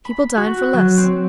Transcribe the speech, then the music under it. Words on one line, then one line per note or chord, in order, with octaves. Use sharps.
People dine for less.
B5
F#4
F#3
C4